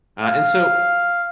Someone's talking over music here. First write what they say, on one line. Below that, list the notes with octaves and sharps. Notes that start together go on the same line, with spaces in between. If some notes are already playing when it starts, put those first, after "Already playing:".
Uh, and so,
F5